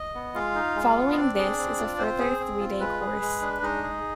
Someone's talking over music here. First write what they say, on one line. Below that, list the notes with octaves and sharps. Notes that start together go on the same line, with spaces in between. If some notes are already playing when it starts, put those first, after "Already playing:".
Following this is a further three day course.
Already playing: D#5
B3
G#3 F4 F5
D#4
G#3
B3
D#5
C4 D4 D5
G#4
C4
F4
C4 C5
G#4
C4
F4
G#3 B4
G#4
G#3
D4
G#3 D#4 D#5
G#4